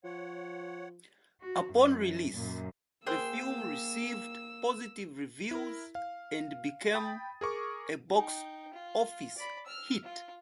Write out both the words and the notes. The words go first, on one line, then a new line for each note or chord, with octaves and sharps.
Upon release, the film received positive reviews and became a box office hit.
F3 C#5 F#5
F#4
F#2
F#2 A#2
A#3 G#4 A#4 C5 G5 C6 E6
E4 A#4
F5
G5 B5 D#6 A6
G#4 A#4 C#6 D6
D#4 G5
F4
D5 B5
E6 F6
F4